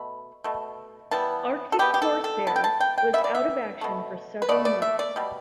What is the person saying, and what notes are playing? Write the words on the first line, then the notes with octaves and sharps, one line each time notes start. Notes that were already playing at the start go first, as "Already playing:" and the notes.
"Arctic Corsair" was out of action for several months.
Already playing: B2 A3 B5
B2 A3
E3 G3 B3 A5
A4
E3 G3 B3 G4
G4
A4
A4
E3 B3 A5
G5
A5
G5
G5
E3 B3 E5
D5
E5
B2 A3
B4
B2 A3 D5
D5
E5
D5
B2 G3